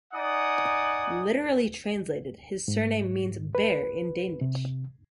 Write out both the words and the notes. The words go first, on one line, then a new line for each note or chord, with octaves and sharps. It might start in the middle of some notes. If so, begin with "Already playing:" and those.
Literally translated, his surname means "bear" in Danish.
D#4 D5 F#5 G#5 D#6
G#2
B4
C3